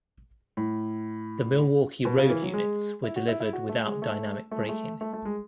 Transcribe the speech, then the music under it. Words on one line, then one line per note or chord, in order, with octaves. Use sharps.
The Milwaukee Road units were delivered without Dynamic Braking.
A2
B2
C#3
E3
F#3
G#3
E4
F#4
E4
E4
F#4
A3
G#3
A3
A3
G#3
A3
A3
A3
G#3